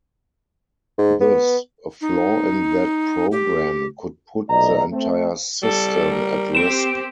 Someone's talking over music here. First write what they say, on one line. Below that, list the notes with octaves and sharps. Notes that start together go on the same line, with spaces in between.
Thus, a flaw in that program could put the entire system at risk.
G#2
B3
D#4
G4
B1 A#2 A3 D5 D#5 A#5
A3 C4
G3 A4
A#4
C4 G4 C5 D7 E7